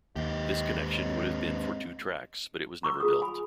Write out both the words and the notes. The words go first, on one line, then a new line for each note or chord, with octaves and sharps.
This connection would have been for two tracks, but it was never built.
D#2 G#2 G4 D#5 F5
C4 C#5 D#5
A#5 C#6 D6 E6
F4 G#4 D#6
G#5 B5